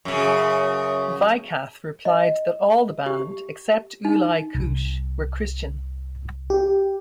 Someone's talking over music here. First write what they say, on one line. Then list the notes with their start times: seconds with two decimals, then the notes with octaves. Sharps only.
Weikath replied that all the band, except Uli Kusch, were Christian.
0.05 F#2 C#3
2.05 D#5
3.06 G4
4.05 D#4
4.55 C2
6.50 G4